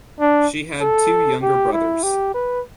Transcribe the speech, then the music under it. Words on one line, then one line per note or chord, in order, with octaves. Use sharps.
She had two younger brothers.
D4
A4
G4
E4
G4
B4